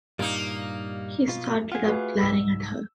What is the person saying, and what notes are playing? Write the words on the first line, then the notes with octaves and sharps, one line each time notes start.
He started up, glaring at her.
G2 A#2 G3 A#3 D#4
B2 F4
F4 G#4 F#5
A3 F#4 B4
C2 G#2 E6